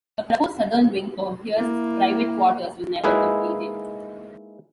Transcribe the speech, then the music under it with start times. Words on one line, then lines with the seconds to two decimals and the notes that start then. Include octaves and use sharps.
A proposed southern wing for Hearst's private quarters was never completed.
1.57 A#3 E4
3.04 G#3 A#3 D#4 E4 G#4 B4